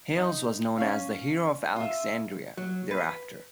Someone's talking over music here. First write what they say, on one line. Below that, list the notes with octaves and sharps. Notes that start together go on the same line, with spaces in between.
Hales was known as the "Hero of Alexandria" thereafter.
D#4
C#4 F5
F4 E5
F#3
B4